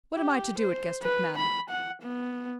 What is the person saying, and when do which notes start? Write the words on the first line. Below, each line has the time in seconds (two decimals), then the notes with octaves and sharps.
What am I to do at Guestwick Manor?
0.15 G4
0.58 C5
1.03 B4
1.38 B5
1.69 F#5
2.02 B3